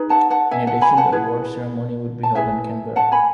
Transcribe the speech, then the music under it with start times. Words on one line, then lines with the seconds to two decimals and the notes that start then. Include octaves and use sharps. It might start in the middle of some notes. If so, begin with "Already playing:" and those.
In addition, the awards ceremony would be held in Canberra.
Already playing: D#4 G#4 B4
0.10 F#5 A5
0.30 F#5 A5
0.51 E5 G#5
0.67 F#5 A5
0.82 G#5 B5
0.97 F#5 A5
1.12 E4 G#4 B4
2.23 A5
2.35 E4 G#4 B4 E5 G#5
2.96 F#5 A5
3.12 G#5 B5